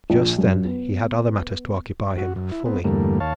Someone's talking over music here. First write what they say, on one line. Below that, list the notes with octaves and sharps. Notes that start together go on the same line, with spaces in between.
Just then he had other matters to occupy him--fully.
A#1
F#2
B3
F#4
F#2
E4
B3 C4
E2 G2 D3 G3 A3 A#3
D#2 C#5 F5 A5